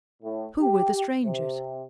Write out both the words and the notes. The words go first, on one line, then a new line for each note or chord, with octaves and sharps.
Who were the strangers?
A2
G4
C3